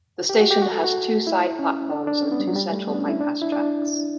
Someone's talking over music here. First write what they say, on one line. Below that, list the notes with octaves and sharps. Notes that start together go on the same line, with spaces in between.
The station has two side platforms and two central bypass tracks.
G4
F#4
G4
F#4
A4
F#4
E4
C#4
D4
D4
C#4
B3
G3
F#3
G3
A3
B3
D4
C#4
E4
D4
E4
D4